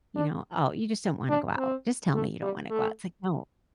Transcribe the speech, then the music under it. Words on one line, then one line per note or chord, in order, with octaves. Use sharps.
you know, "Oh, you just don't wanna go out. Just tell me you don't wanna go out." It's like, "No"
D4
D4
C4
A3
G3
A3